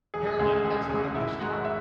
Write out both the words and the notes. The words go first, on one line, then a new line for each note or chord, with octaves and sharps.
'hairlip,' that's not a nice term."
E1 G#4
G#4
D2 C#3 G#3 G#4
E1 G#4
G#4
D2 C#3 G#3 G#4
G#4
G#1 E4 E5
G#2 G#3 F#4 F#5
E5